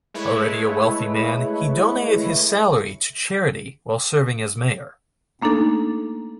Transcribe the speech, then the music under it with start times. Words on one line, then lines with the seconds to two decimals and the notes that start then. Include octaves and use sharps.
Already a wealthy man, he donated his salary to charity while serving as mayor.
0.14 G#3 A3 E4 B4 C#5
5.42 A3 A#3 D4 D#4 A4